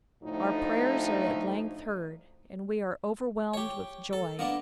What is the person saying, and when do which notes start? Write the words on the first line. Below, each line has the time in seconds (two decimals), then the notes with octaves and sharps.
'Our prayers are at length heard, and we are overwhelmed with joy.
0.23 D2 A2 F3 A3 D#4
3.54 G4 C#5
4.13 A4
4.39 A#3 B3 D4